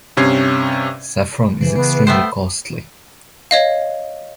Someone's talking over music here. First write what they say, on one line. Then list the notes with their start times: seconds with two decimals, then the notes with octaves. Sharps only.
Saffron is extremely costly.
0.17 G2 C3 C#4 G#6 C7
1.61 C#3 E3 F3
1.76 C#3 B3
2.07 A3 B3 C5 G5
3.51 C#5 D#5 F5